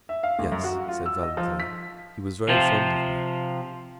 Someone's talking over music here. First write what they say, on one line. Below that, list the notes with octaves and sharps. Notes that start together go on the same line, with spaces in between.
"Yes," said Valentine, "he was very fond of me."
E5
F5
D2
F#2
F#4
F4
E6
D#5
F3
B6
C3 F3 F4